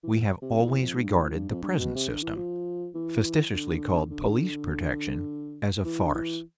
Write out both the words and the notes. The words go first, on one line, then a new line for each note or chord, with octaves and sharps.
We have always regarded the present system--facetiously called police protection--as a farce.
E3
C3
F2
E2
F2
A2
G2
A2
G2
F2
G2
B2
C3
D3
E3
F3
E3
D3
D3
E3
D3
E3